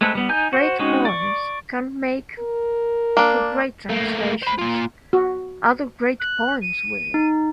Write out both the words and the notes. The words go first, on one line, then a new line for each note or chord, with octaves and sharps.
Great poems can make for great translations, other great poems really.
G#3 A3 C4 A4 B4
G3 B3
D#4 G#5 G6
F#4 C5
G#3 C4 C#4 D#4 F#4
D5 C#6
A#4
A#3 D4
A3 A#3
C5 B5
A#3 F4
F#4
F#6
D#7
D#4